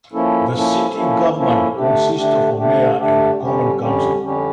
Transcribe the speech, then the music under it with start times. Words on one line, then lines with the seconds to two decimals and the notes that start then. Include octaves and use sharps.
The city government consists of a mayor and a common council.
0.13 F3 A#3 C#4 E4 A4
0.54 F3 A#3 C#4 E4 A4
0.94 F3 A#3 C#4 E4 A4
1.35 F3 A#3 C#4 E4 A4
1.76 D3 A3 D4 G4
2.17 D3 A3 D4 G4
2.58 D3 A3 D4 G4
2.98 D3 A3 D4 G4
3.39 F2 D3 G3 C#4 G4
3.80 F2 D3 G3 C#4 G4
4.21 F2 D3 G3 C#4 G4